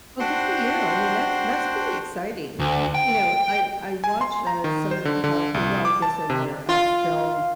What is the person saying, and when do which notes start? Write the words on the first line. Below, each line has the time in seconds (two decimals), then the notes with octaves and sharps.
well, good for you, I mean, that's that's pretty exciting. You know, I I watch, uh, some of the photography well, I guess they're more of film
0.20 D4 F#4 C5 F#5 G5 C6
2.59 D2
2.95 G5
4.04 G#5
4.21 C6
4.47 A#5
4.64 D#3
4.91 C5
5.05 D3
5.24 D3
5.54 C2
5.85 D6
6.02 A5
6.30 C3
6.69 F4